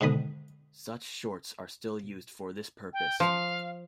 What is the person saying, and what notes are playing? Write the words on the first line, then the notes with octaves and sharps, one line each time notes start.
Such shorts are still used for this purpose.
G#2 D3 D#3 B5 D#6
G5
F3 F5